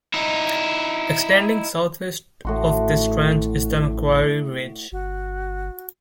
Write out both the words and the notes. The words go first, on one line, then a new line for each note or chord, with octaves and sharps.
Extending southwest of this trench is the Macquarie Ridge.
D#4 E4
A1 A2 F#4 C6
G1 F#4